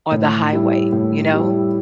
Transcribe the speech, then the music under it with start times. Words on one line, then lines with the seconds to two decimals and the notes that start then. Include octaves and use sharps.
or the highway, you know?
0.11 A2
0.53 G3 E4
0.92 A2
1.34 G3 E4